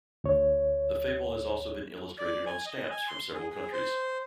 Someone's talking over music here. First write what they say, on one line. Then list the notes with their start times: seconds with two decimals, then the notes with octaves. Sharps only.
The fable has also been illustrated on stamps from several countries.
0.24 D2 C#5
2.19 D5
2.46 G#5
2.66 D#5
2.91 G#5
3.08 C6
3.34 G#4
3.50 G#4
3.73 C5